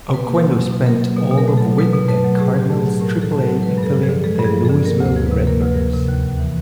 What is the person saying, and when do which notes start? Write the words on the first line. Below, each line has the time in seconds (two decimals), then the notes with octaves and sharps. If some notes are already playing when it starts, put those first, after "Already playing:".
Oquendo spent all of with the Cardinals' triple A affiliate the Louisville Redbirds.
0.09 B2
0.14 B4
0.24 A#3
0.34 A#4
0.40 F#3
0.55 B2
0.71 B2
0.86 A#3 A#4
1.02 F#3
1.16 B2
1.31 B2
1.38 A#4
1.48 A3
1.58 F#3 A4
1.78 B2 B4
1.93 B2
2.08 A3 B4
2.24 F#3
2.39 A2 G#4
2.55 A2
2.60 G4
2.70 A3
2.80 G#4
2.85 F#3
3.00 A2 A#4
3.16 A2
3.22 A4
3.32 A3
3.42 F#3 A#4
3.63 G#3 B4
3.78 G2
3.83 A4
3.94 F3
4.03 G#4
4.09 D3
4.24 G#3 A4
4.39 G2
4.44 G#4
4.54 F3
4.65 D3 A4
4.85 A#3 A#4
5.00 D2
5.06 C5
5.16 F3
5.26 C3 B4
5.47 A#3 A#4
5.61 D2 B4
5.74 F3 A#4
5.93 C3
6.08 D#2
6.24 D#2
6.39 E3